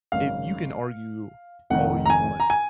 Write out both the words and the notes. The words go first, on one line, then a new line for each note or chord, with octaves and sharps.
i you can argue all you want
G#1 F#2 C#3 F5
F1 F2 D#3 F#5
A#5
G#5
A#5
G#5